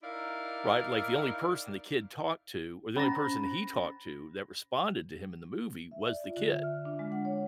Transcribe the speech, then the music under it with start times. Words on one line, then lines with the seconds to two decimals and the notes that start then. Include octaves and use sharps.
right? Like, the only person the kid talked to or the only person he talked to that responded to him in the movie was the kid.
0.02 D#4 E4 A#4 D5 F5
2.96 C#4 C5 A#5 B5 A6 A#6
5.91 E5
6.05 D5
6.24 F4
6.37 D3
6.51 E5
6.63 F6
6.85 D4
6.99 G#3
7.12 F#5
7.25 C#5